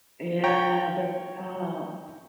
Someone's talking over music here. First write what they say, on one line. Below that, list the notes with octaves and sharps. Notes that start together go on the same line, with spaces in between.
Yeah, but, aw
C#5 G5 A#5